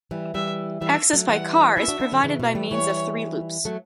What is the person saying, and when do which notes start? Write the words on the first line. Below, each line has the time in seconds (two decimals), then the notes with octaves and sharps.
Access by car is provided by means of three loops.
0.11 E3 G3
0.34 E3 G3 E5
0.81 E3 G3 E5
1.13 F#3 A3
1.29 E3 G3 F#5
1.76 C#4 E4 E5
1.88 D4 F#4
2.00 B3 D4
2.12 D3 F#3
2.23 C#3 E3
2.40 B2
2.55 E3 G3
2.71 E3 G3 C#5
3.65 F#3 A3